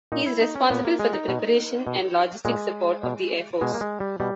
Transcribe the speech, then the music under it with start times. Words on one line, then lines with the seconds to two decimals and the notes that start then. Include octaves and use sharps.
He is responsible for the preparation and logistic support of the air force.
0.12 A#2 D#4
0.26 E4
0.41 D#4
0.56 C#4
0.70 A#2 B3
0.85 A#3
0.99 G#3
1.13 D#4
1.28 B2
1.87 B2
2.45 A#2 G#3
3.03 B2
3.61 B2 G#3
3.74 A#3
3.81 G#3
4.00 G3
4.20 B2 G3